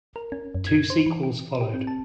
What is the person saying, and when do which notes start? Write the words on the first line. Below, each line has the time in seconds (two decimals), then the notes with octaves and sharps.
Two sequels followed.
0.16 A#4
0.32 C#4
0.55 F#2
0.67 G#6
0.90 C5
1.06 E3
1.23 G4
1.61 G4
1.74 C4
1.87 A5